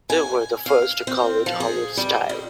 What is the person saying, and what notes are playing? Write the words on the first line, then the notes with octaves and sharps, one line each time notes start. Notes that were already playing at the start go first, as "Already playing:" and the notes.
They were the first to call it "Hollywood Style".
G#5
F5
C4
F3
G#4
G3
F2